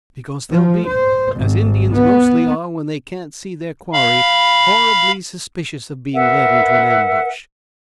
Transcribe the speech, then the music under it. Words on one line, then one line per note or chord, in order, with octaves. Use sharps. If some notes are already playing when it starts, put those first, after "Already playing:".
"Because they'll be, as Indians mostly are when they can't see their quarry, horribly suspicious of being led into an ambush."
F3
C5
G#1
B3
F5 B5
A#4 B4 E5 F#5